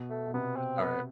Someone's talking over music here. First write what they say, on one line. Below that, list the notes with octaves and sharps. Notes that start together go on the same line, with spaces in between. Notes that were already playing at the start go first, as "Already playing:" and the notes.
But it's alright.
Already playing: B2
A3
B2
C3 B3
C4
B3